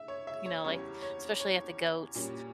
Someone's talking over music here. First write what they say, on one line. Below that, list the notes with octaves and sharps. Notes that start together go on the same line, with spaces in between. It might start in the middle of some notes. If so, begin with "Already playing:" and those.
you know, like, especially at the goats
Already playing: E5
C#5
E5
C#5
E2 C#3 G3 C#5
C#5
C#5
A#2 G3 C#4